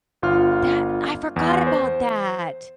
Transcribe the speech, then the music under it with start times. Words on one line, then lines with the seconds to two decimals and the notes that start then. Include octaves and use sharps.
that I forgot about that.
0.22 G1 F4 F6
1.36 E2
1.67 C5